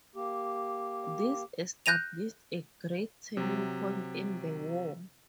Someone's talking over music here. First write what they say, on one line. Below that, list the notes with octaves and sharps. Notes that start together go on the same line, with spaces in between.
This established a great turning point in the war.
A#3 G4
F#6 G6 A#6 D#7 F7
C3 F#3